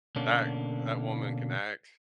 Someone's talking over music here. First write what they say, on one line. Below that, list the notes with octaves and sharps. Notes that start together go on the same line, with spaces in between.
that that woman can act
B2 D3 A#3 C#4 D4